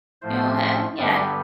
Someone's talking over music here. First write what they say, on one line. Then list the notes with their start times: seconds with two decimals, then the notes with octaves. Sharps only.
you know, eh, yeah, I
0.22 A2 F3 A3 C5
0.97 G2 D3 G3 B3 D5